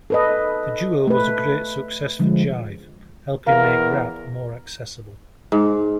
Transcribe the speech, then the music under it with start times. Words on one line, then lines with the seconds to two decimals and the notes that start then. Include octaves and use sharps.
The duo was a great success for Jive, helping make rap more accessible.
0.10 A4 B4 D#5
1.07 A3 B4
2.19 D3 F3 G#3
3.47 E2 A#4 F5
5.52 G#2